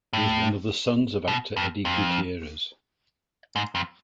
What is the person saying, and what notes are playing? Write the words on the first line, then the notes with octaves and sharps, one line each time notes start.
He is one of the sons of actor Eddie Gutierrez.
A2
B2
F2
F2
G#2
F2